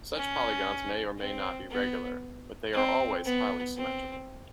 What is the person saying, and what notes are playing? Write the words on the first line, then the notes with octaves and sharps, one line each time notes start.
Such polygons may or may not be regular but they are always highly symmetrical.
C#4
C4
B3
C4
B3
C4